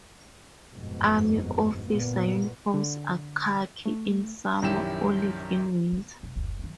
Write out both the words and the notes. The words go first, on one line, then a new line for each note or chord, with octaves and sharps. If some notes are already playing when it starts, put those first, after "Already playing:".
Army officer uniforms are khaki in summer, olive in winter.
G1 F2 G#2 B2
G1 A#2 B3
D3
A3
A#1 F#2 D#3 E4 G4 E7
A#3 B3
E1
F#1 D2
F#2 D#3